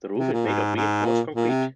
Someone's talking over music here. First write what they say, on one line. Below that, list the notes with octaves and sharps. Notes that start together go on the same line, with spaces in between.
The roof is made of reinforced concrete.
C3
A#2
G#2
G#2
A#2
A#2
C3